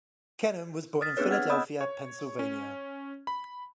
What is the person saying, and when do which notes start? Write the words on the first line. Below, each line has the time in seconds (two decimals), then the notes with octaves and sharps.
Kennan was born in Philadelphia, Pennsylvania.
1.01 D#6 F6 A6 B6
1.17 B3 C4 D4 G#4 B4 C#5
1.31 F#5 E6 F6 G#6 A6
1.50 C#5 D#5 B5 D#6 E6 G6
1.81 C#5
2.39 C#4
3.27 B5